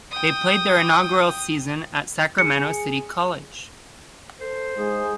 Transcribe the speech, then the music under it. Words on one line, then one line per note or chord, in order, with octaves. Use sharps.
They played their inaugural season at Sacramento City College.
G5 D#6
G#4 C#7
A4 C5
G#2 G#3 G#4